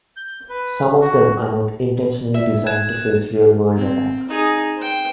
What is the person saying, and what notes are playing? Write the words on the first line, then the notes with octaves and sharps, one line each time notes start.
Some of them are not intentionally designed to face real-world attacks.
G6
B4
F#4
E5
F#6 G#6 E7
C4
D#4 G#4
C5 G5